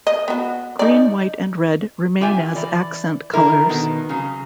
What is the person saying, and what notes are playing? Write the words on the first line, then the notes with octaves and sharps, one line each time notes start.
Green, white and red remain as accent colors.
D#5
B3 F#4
D#4 D5
F4 G4 E5 G#5
E3 D5
D3 E4 A#4
B2 D#3 B3
C#3 F#3